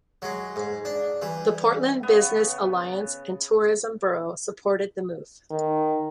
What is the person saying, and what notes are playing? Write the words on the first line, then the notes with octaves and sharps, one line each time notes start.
The Portland Business Alliance and tourism bureau supported the move.
F#3 G#3
G#2
D4
E3 G3
C#3 B3
D#3